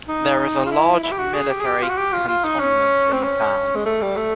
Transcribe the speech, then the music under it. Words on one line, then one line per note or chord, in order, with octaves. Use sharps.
There is a large military cantonment in the town.
D#4
F4
E4
E4
G4
F#4
G#4
G4
G#4
G4
F4
F#4
G4
F4
F4
D#4
C#4
C4
C#4
G#3
A3
G3
A3